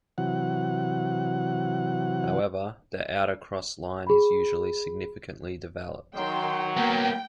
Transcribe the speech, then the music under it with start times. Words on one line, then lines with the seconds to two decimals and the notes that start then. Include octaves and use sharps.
However, the outer cross line is usually significantly developed.
0.18 C3 E3 F#3 F#5
4.07 G#4 B5
6.15 D#3 F#3 G5 C6
6.77 A#3 B3 G5